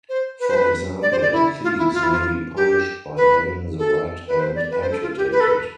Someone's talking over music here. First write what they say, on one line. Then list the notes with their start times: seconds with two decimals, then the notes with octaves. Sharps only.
For example, thieves may be punished by having the right hand amputated.
0.09 C5
0.40 B4
0.48 C5
0.56 B4
1.02 D5
1.11 C5
1.22 D5
1.32 E4
1.64 F4
1.78 E4
1.94 F4
2.03 E4
2.12 F4
2.56 G4
3.17 B4
3.78 A4
4.28 B4
4.40 C5
4.56 D5
4.71 B4
4.82 C5
4.91 A4
5.02 F4
5.17 G4
5.32 B4
5.40 A4
5.48 B4